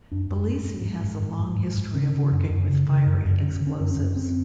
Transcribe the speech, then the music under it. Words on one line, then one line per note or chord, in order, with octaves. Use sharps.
Belleci has a long history of working with fire and explosives.
F#2 D4
F#2
G#2
G#2
G#2
G#2
G#2
G#2
G#2
G#2
C#3 C#4
C#3
F#2
F#2
C#3
C#3
F#2
F#2
D3 C#4
D3
C#4
F#2
C#4
F#2
D3 C4